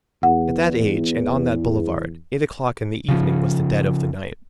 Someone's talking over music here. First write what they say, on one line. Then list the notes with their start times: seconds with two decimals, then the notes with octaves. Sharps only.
At that age, and on that boulevard, eight o'clock in the evening was the dead of the night.
0.23 E2 F#5
3.09 C#3 F3